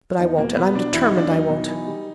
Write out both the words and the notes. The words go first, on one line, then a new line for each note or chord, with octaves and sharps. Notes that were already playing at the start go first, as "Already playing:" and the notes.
But I won't . . . and I'm determined I won't.
E2 D#4
B2 A#3
B2 B3
B2 D4
E2 E4
D#4
E2
D4
F#3 D#4
B2
E3
G3